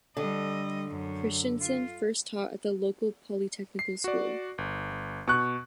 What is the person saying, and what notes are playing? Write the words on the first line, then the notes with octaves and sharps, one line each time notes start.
Christiansen first taught at the local polytechnical school.
D3 G3 D#5
F#2
F4
C7
F#4 D5
G1
B2 C#6 F#6